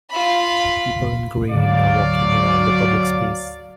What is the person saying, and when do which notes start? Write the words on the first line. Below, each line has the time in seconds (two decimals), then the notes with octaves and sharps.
People in green are walking around a public space.
0.11 F4 B5
1.51 G#1 D2 F#3 D5 F5